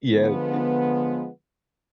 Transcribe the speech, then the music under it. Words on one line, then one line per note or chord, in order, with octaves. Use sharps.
Yeah, th
D3 F3 G#3 B3